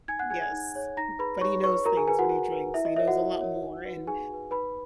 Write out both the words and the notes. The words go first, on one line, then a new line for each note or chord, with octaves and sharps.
Yes, b but he knows things when he drinks, he knows a lot more, and
D#4 G#5 G#6
F#5 F#6
G#4 C#5 G#5 G#6
G#5 G#6
D#4
G#4 C#5
D#4 A#5 A#6
G#4 B4 B5
D#4 C#5 C#6
G#4 B4 C#5 C#6
F#4 A#4 A#5
G#4 G#5
G#4 B4 G#5
F#4 F#5
F#4
B4
E4 E5
D#5
A#4 C#5 E5
F#4 F#5
E4
A#4 C#5
D#4
F#4 B4
D#4 G#4 G#5
F#4 B4
D#4 B4 B5